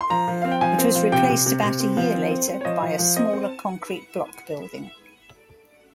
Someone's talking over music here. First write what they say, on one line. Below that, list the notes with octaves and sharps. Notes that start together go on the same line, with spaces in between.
It was replaced about a year later by a smaller concrete block building.
C6
F3 A#5
F3
C4 F5
G5
F3 G#5
C4
F3
C3 G5
C3
C3
C3
C4
F3
C4
C4
C4
C#5
F3 D#5
F3
F3
C4 D#5
C4